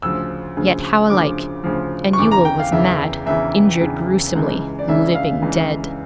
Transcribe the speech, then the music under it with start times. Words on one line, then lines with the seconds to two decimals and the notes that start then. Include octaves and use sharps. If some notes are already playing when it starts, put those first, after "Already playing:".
Yet how alike-- And Ewell was mad, injured gruesomely, living dead.
0.02 D2 C#3 F3 E6
0.57 D2 C#3 F3
1.10 D2 C#3 F3 D6
1.64 D2 C#3 F3
2.13 C#6
2.18 E2 C#3 E3 D6
2.31 A#5
2.45 G5
2.59 F5
2.72 E2 C#3 E3 E5
3.26 E2 C#3 E3 E5
3.80 E2 C#3 E3
4.35 C#2 C#3 E3
4.79 D5
4.88 C#2 C#3 E3 E5
5.15 F5
5.42 C#2 C#3 E3